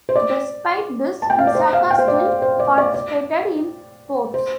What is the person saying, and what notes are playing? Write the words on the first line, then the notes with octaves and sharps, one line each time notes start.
Despite this, Misaka still participated in sports.
C5
D5
A5
G5
F5
D5
C5
F5
G5
C5
D5
C5
C5
D5
D5
D5
C5